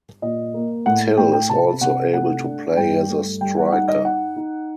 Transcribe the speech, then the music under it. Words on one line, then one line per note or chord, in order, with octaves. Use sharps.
Till is also able to play as a striker.
A#2 D#5
A#3
A2 F#5
A2 G5
G5
C3 A5
C3 F#5
A3 F#5
D4
G2 G5
A3
G3 G5
F#5
D#4 F#5
D#5
D#4 F#5
D#4